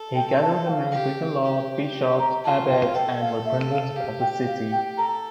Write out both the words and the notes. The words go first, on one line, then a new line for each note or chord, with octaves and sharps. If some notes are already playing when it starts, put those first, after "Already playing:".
He gathered the main Breton lords and bishops, abbots and representatives of cities.
Already playing: A4
G5
A5
G5
F5
G4
G4
A#5
F4 A5
G5
F5
A4 G5
F5
E5
F5
G4 F5
G5
F5
G5
A4 A#5